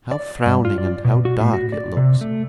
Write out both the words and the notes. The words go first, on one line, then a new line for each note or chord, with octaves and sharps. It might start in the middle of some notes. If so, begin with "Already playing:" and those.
How frowning and how dark it looks!'
D5
G2
F4
D5
B2
F#4
A2
F#4
D5
C3
A3